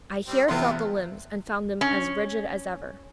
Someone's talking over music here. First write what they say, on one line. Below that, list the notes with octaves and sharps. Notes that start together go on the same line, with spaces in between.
I here felt the limbs and found them as rigid as ever.
G3 C4
E2 C3 A3 B3 C4 F4 C6
C#4